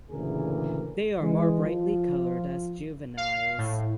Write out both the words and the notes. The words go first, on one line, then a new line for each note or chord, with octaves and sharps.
They are more brightly colored as juveniles.
D2 A#2 C#3 E3 G#4 A#4
E3 G#3
F3 F4
F5
A2